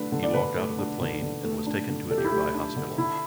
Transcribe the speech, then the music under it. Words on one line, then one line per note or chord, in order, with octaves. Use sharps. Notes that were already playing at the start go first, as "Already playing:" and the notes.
He walked out of the plane and was taken to a nearby hospital.
Already playing: D3 A3 D4 B4
D3
D5
D3 B4
A3
D4
D3
D3
A3
D4
D3
D3 A4
G4
E4
A3 G4
D4
D3
D3 E4